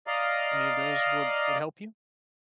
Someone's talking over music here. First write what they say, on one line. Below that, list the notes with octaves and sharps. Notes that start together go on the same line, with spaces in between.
any of those would would help you?
D5 D#5 F5 A#5